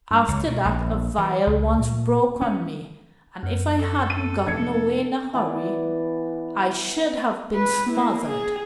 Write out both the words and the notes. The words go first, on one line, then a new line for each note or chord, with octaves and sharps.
After that a vial once broke on me and if I hadn't gotten away in a hurry I should have been smothered.
G2
C#2
B2
A#1
E3
C#2
A#2
C#4
F#2
A4
D#7
F1 G#6 C#7
E3 B3 D5
B4
A#3 E4
G#4